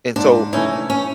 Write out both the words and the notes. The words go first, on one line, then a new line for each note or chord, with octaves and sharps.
And so
G#2 D4
E3 A3 C#4 D#4 E4
C#4